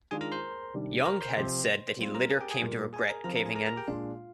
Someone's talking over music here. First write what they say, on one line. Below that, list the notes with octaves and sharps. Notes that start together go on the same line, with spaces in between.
Young has said that he later came to regret caving in.
D#3 G#3 D4 F4 G#4 G#5
A#4 A#5
C5 C6
C3 D#3 G3 D4
A#4 A#5
C5 C6
C3 F3 C4
G3 C4 F4
A#4 A#5
G#4 G#5
G4 G5
G#4 G#5
A#2 G3 A#3
G#4 G#5
A#4 A#5
F3 C4 F4 A#4 A#5
A#4 A#5
G#4 G#5
A#4 A#5
A#4 A#5
G4 G5
A#2 G#3 D4 F4 F5